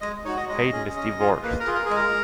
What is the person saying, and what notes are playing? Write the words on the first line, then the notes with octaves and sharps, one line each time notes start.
Hayden is divorced.
G#3 D#5
D#4 F#4 C#5
D#5
G#3 D#5
C#4 G#4
C#4 D#5
F4 G#4
A#3 B4
A#4
F4 G#4
A#4
G#3 G#4
A#4